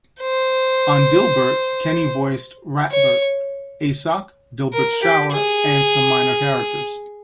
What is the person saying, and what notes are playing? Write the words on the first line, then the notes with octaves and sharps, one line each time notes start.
On "Dilbert", Kenny voiced Ratbert, Asok, Dilbert's shower, and some minor characters.
C5
C#5
A#4
G4
G#4